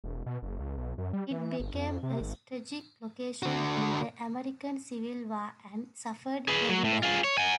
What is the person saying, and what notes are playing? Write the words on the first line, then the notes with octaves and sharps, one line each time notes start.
It became a strategic location in the American Civil War and suffered heavy damage.
E1
B2
F#1
C#2
B1
F#2
G3
E3
G1
F2
C3
G#1
D3 F#4
G#4 B4
F#3
A2
F4 G#4
C#5
F#5 G#5